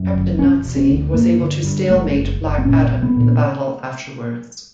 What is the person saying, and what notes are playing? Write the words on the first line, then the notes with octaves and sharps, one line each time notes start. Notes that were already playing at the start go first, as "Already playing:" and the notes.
Captain Nazi was able to stalemate Black Adam in the battle afterwards.
Already playing: F#2
G1
E1 C#4
E1
C#4
D2
G2 A#3
D3
G2
F#1 A3
F#1
F#1
C4
A#2 C#4
B1
B3
A#2